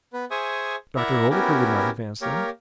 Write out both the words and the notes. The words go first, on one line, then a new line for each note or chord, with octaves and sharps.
Dr. Oldacre would not advance them.
B3 B4
G#4 C5 E5 G#5 C#6 D#6
E4 A#4 D5 E5 F#5 A#5
B3 C#4 E4 F#4 G4 A#4
A#3 G4 A#4 C#5